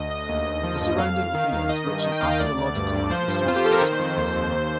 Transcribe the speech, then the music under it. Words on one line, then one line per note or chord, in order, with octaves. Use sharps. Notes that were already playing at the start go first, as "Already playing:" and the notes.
The surrounding area is rich in archaeological and historical sites.
Already playing: D2 D#5
D2 D#5
D#2
D#2
F3
G2
F2 F5
F2
D#3
D#2
D#3 D#5
G2
D#3
G5
D#2 F5
D#5
D2 D5
D2
G2
G2
F3 C5
G2
F2 F4
G4
F2 A4
A#4
D#3 C5
F2
D#2
D#2
D#2